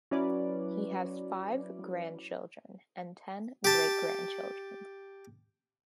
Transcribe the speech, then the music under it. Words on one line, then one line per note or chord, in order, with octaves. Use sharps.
He has five grandchildren and ten great-grandchildren.
F#3 C#4 E4 B4 D5
G4 A5